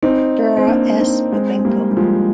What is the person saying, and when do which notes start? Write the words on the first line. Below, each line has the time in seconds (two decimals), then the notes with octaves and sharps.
Vera S. Babenko.
0.03 C4 D#4
0.57 C4
0.67 A#3 D4
0.99 C4 D#4
1.32 G#3 C4
1.59 G#3
1.64 G3 A#3
1.91 G3
1.97 F3 G#3